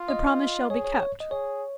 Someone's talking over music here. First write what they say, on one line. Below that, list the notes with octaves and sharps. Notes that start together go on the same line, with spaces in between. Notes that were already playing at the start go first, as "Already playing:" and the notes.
'The promise shall be kept.
Already playing: F4
D#5
G#4 C#5
C#5
C#5
D#5
G#4 C#5